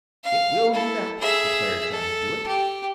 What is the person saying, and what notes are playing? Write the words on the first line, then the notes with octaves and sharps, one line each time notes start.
"It will do that," declared Johnny Dooit.
F5
E4 A4
G#4 E5
A4
G4